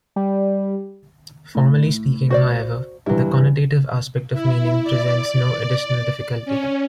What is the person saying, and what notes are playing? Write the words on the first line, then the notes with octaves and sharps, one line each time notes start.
Formally speaking, however, the connotative aspect of meaning presents no additional difficulty.
G3
A2
F#4 C5 D5
G2 E3 F#3 E4
E4
D5
C#4